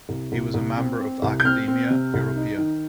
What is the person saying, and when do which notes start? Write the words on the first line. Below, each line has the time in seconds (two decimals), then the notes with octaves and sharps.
He was a member of the Academia Europaea.
0.09 C2
0.32 C2
0.54 C2
0.77 C4
0.99 C4
1.22 C2
1.40 G6
1.45 C4 F6
1.68 C4
1.90 C3
2.14 C2
2.36 D#4
2.58 D#3